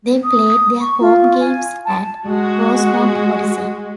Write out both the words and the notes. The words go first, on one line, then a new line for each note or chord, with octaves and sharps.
They played their home games at Rosemont Horizon.
D#6
C#6
F4
G#5
A5
G#3 F#4